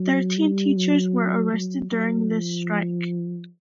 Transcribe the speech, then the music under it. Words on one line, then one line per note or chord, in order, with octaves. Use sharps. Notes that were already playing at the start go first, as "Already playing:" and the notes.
Thirteen teachers were arrested during this strike.
Already playing: F#3
G3
F#3
F#3
F#3
F3